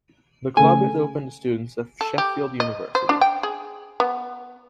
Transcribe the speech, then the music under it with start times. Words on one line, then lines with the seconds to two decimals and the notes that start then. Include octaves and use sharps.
The club is open to students of Sheffield University.
0.57 C#3 A3 G#5
2.01 A4
2.18 G4
2.60 D#5
2.95 C5
3.09 D4
3.21 G5
3.43 G#4
4.00 B3